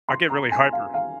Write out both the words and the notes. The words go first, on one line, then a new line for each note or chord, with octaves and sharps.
I get really hyper.
C6
A#5
G#5
F5
F5